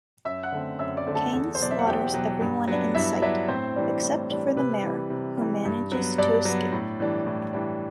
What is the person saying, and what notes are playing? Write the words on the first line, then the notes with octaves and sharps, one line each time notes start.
Cain slaughters everyone in sight, except for the mayor who manages to escape.
F#2 E5 E6
F#5 F#6
D3 A3 C4
F#2 E5 E6
D5 D6
D3 A3 C4
A4 A5
E2 A4 A5
C5
B2 F#3 D5
E5
F#5
E2 G4 G5
B2 F#3
G2
F#3 B3 D4
G2 E4 E5
F#3 B3 D4 E4 E5
A2 C4 C5
E3 G3 D4
A2
E3 G3 D4
C3 B4
E3 G3
C3
E3 G3
G2
F#3 B3
G2 D4 D5
F#3 B3
A2
E3 G3 D4
A2
E3 G3 D4